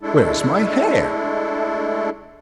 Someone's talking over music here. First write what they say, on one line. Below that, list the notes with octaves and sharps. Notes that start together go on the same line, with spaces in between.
Where's my hair?
G#3 A3 D4 E4 A4